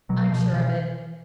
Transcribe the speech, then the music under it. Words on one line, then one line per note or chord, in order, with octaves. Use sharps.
I'm sure of it.
B2 F#3
B2 F3
B2 E3